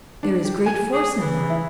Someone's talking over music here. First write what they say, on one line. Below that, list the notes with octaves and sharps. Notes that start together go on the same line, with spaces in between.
There is great force in that.
D4
G4
G#5
G#4
E3
E4